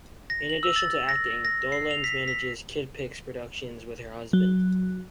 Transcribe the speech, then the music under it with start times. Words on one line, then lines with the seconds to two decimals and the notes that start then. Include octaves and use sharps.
In addition to acting, Dolenz manages KidPix Productions with her husband.
0.30 A#6
0.49 F#7
0.63 E6
0.76 A6
1.09 A#6
1.45 A#6
1.72 C7
1.91 F7
2.04 B6
2.28 B6
4.33 F#3